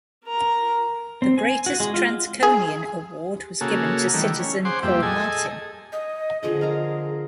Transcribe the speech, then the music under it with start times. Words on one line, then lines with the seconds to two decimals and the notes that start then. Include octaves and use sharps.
The Greatest Transconian award was given to citizen Paul Martin.
0.24 A#4 A#5
1.22 C4
1.38 G#5
1.66 F#4
1.80 G#3
1.94 F4
2.43 G#4
3.61 C#3 A#3 F#4 G#4 A4
4.14 D#3 E3 G3 A3
4.39 C#4
4.65 G#4 C5 F#5 C6 D6
4.83 F2 A#2 G3 G4 E5
5.02 G#4 A4 D#5 G#5
5.92 D#5
6.43 D3 F3 G#4 D#5
6.61 A#4 F5 A#5